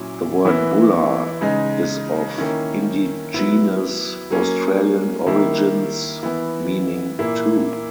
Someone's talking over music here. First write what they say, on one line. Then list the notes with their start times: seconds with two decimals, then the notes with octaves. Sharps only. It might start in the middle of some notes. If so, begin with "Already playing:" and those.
The word Bulla is of indigenous Australian origins meaning 'two'.
Already playing: A#2 F#3 C#4 E4
0.45 E3 B3 E4
1.41 C#3 G#3 D#4
2.38 D#3 A#3 C#4 E4
3.34 F#3 B3 E4
4.30 F#3 A#3 C#4
5.27 D#3 A#3 E4
6.23 E3 B3 E4
7.19 A#2 A#3 E4